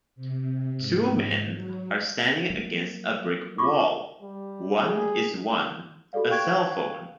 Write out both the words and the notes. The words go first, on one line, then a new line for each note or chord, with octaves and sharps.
Two men are standing against a brick wall, one is one a cellphone.
C3
G#2
F#3
F#3 A#3
F4 C#6 D6
G3
G#4
F#4 G4 A4 D5 F5
F5 G5 C#6 F#6 G#6 D7